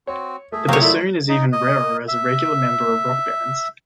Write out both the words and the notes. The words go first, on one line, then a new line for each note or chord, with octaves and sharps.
The bassoon is even rarer as a regular member of rock bands.
C4 F#4 C#5
A3 G#4 E5
F#3 A#3 C4 G4 A#4 C#5 F5
A3 E4 F4 A#4 D5
D#4
D#5
E5